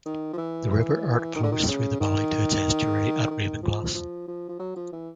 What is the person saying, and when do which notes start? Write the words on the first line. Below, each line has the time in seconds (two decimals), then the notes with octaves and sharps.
The River Irt flows through the valley to its estuary at Ravenglass.
0.06 D#3
0.33 F3
0.38 E3
0.71 E3
1.36 D#3
1.43 D3
1.52 D#3
1.67 C#3
2.00 D#3
3.31 D#3
3.63 F3
3.94 F3
4.28 F3
4.49 F3
4.59 F#3
4.76 F3
4.92 E3